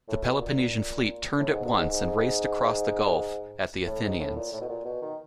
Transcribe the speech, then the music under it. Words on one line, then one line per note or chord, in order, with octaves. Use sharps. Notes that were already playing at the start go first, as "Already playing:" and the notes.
The Peloponnesian fleet turned at once and raced across the gulf at the Athenians.
A2
B2
A#2
A2
G#2
G2
G#2
G#2
A2
G#2
A2
A#2
A2
B2
A#2
B2
D#3